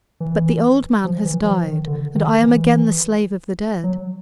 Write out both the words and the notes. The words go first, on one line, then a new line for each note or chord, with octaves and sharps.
But the old man has died, and I am again the slave of the dead.
E3
F3
E3
F3
D#3
D3
D#3
E3
F#3